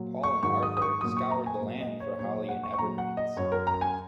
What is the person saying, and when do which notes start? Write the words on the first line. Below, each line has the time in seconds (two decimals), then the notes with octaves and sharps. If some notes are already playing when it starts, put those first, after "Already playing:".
Paul and Arthur scoured the land for holly and evergreens.
Already playing: A#2 F#3
0.23 C#6
0.43 G#2 D#3 F#3 C#6
0.63 D#6
0.77 D#6
0.82 C#6
1.01 A#2 F#3 D#6
1.17 C#6
1.31 A#5
1.46 G#5
1.61 A#2 F#3
1.80 D#5
2.00 C#5
2.19 A#2 F#3 C#5
2.34 C#5
2.48 F#5
2.63 C#6
2.73 C#6
2.78 A#2 F#3 A#5
2.98 F#5
3.17 D#5
3.37 F#2 F#3 C#5
3.52 A#4
3.67 A#5
3.81 G#5